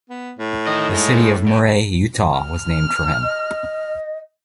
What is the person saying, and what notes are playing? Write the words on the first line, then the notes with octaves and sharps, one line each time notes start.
The city of Murray, Utah was named for him.
B3
A2
D#3 D#5
G#3 D#4
A2
F6
D#5